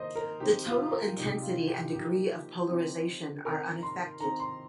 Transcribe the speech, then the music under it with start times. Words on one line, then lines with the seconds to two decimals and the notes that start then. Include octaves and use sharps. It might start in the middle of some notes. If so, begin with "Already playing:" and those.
The total intensity and degree of polarization are unaffected.
Already playing: D#3 A#3 D#4 C5 D#5
0.15 A#4
0.40 D#3 C4 D#4 G4
0.66 F4
0.91 A#4
1.17 C3 G3 D#4 G4
1.42 F4
1.68 G4
1.92 F3 A#3 D#4 G4
2.68 F3 C4 D#4
3.45 D#3 C4 D#4 A#4
3.83 C6
4.20 D#3 C4 D#4 A#5
4.40 C6